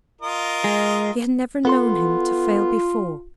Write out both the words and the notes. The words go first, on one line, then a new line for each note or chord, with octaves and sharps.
She had never known him to fail before.
F4 A#4 D#5
G#3
B3 F4 A4 C6